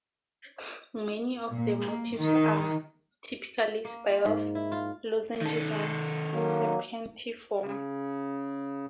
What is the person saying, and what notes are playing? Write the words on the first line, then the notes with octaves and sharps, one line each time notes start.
Many of the motifs are typical: spirals, lozenges and serpentiform.
A#2
A#3
D#3
A#3
F4
G#2
E4
F4
D#3 A4
F#3 A#3
C#3